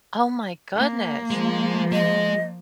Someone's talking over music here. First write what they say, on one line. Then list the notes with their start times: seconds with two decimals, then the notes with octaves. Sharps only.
Oh my goodness.
0.75 A#3
1.31 F3 G#3
1.92 G#3 D#5